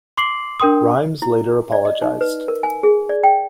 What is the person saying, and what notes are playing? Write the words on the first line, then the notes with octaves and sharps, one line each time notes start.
Rhymes later apologized.
C6 D6 C7 F#7
D4 A#4 G5 C6 D#6
E4
D5
D#5
D#4
B4
A#4
G#5
G#4
D5
G5